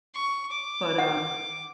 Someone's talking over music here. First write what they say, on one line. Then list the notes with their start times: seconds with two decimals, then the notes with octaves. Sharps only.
But, um,
0.14 C#6
0.51 D6
0.98 F#5